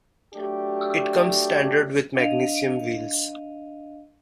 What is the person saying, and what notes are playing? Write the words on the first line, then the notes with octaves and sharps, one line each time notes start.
It comes standard with magnesium wheels.
F#3 A3 D4 G4
D4 D#5 F5 D#7 F7